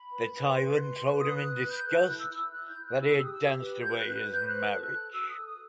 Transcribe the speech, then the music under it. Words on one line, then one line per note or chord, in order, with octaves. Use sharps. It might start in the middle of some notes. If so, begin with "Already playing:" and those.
The tyrant told him in disgust that he had danced away his marriage.
Already playing: B5
B4
B4
B4 C6
B4
B4
B4 D#6
F#6
B4
F#6
B4
G6
A4 F#6
G6
E4 F#6
E6
E4
E4 F#6
G6
E4
F#6
E4
E6
G4 E6
D#6
E6
G4
B4
B4 G6
F#6
B4
F#6
B4
G6
C5 F#6
A4
F#6
A4
F#4 E6
A4 D#6
D#6